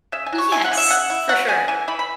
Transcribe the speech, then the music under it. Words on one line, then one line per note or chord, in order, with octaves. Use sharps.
Yes, for sure.
C#3 E5
G#5
F#3
C#6
E4 G#5
F#5
C#3
E5
C#3 F#5
E4
F#3 F#5
C#3 G#5
E3 G#5
E3 B5
B5